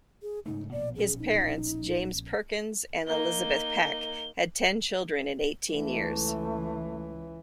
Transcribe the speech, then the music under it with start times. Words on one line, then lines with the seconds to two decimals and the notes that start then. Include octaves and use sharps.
His parents, James Perkins and Elizabeth Peck, had ten children in eighteen years.
0.22 G#4
0.46 G#2 C#3 A3 D#4
0.72 A#1 B2 A#3 D5
0.96 A#1 B2 C#4 G#4
1.19 D#4
3.07 A#3 D#4 G7
5.71 C#2 E3 A3